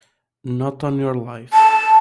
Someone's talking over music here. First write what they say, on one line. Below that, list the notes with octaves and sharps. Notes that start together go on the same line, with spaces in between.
Not on your life.
A5